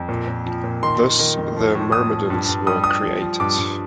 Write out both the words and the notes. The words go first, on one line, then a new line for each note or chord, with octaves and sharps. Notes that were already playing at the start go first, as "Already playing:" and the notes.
Thus the myrmidons were created.
Already playing: F2
A#2
A#2
F3
A#2
D#3 C6
D#3
D#3
F2
F3
A2
A2 D#6
F3
G2
G2
G3 D#6
G3 D#6
F3
F3
G2 D6
G2